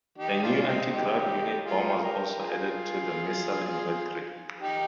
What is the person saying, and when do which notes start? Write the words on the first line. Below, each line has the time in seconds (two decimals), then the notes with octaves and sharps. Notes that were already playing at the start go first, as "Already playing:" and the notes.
A new anti-ground unit bomb was also added to the missile inventory.
0.18 D#4 G4
0.42 D4 F4
0.68 C4 D#4
0.92 D#4 G4
1.65 F4 G#4
1.87 G4
1.95 G#4
2.02 G4 A#4
2.39 F4 G#4
4.60 D#4 G4